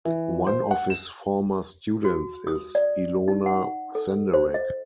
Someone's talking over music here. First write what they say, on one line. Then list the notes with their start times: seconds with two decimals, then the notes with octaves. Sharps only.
One of his former students is Ilona Senderek.
0.05 E3
0.47 C5
0.71 F#5
0.90 E7
2.05 F#4
2.47 D#6
2.75 D5
3.28 D#4
3.46 F#5
3.95 A4
4.34 C5
4.54 D#5